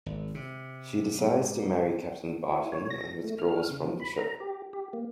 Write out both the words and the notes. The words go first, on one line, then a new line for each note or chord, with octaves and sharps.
She decides to marry Captain Barton and withdraws from the show.
G#1
C3
G#2
E4
C#5
A#6
A3
F6
C#3
F3
B5
A#5
G4
G4
A#3